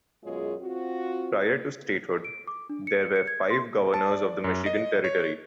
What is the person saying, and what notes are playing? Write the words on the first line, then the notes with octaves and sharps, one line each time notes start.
Prior to statehood, there were five governors of the Michigan Territory.
F#2 B2 G#3 F4 G#4 C#5
C4 F4 F#4
D7
D6
D4
C#7
C#7
G#6
C6
A5
D5
F#2
D#5
C#5